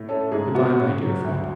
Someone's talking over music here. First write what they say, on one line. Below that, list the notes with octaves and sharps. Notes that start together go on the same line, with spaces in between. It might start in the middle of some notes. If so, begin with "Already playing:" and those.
Good-bye, my dear friend.
Already playing: A2
C#4 A4
G#2 G#4
B3 F#4
C#3
F#3
D2